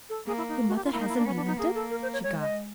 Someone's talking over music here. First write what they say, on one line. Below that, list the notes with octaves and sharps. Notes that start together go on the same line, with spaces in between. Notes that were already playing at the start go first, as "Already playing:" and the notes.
"Your mother hasn't relented?" she gasped.
A4
A#3 G#4
E4
D#4
F#4
G4
F4
A#3 E4
D#4
E4
D4
B3 C#4
D4
D#4
A#3 G#4
A4
A#4
C5
C#5
G#3 C#5
D#5